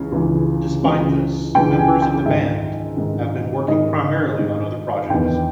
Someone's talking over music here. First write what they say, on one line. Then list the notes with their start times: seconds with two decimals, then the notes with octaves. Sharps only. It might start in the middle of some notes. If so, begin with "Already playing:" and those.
Despite this, members of the band have been working primarily on other projects.
Already playing: C#2 C#3 E3
0.12 C#2 C#3 E3
0.83 C#2 C#3 E3
1.55 C#2 C#3 E3 G5
1.78 G#5
2.02 G5
2.25 G#2 D#3 E5
2.97 G#2 D#3
3.68 G#2 D#3 D#5
4.39 G#2 D#3
5.10 E2 D#3 G5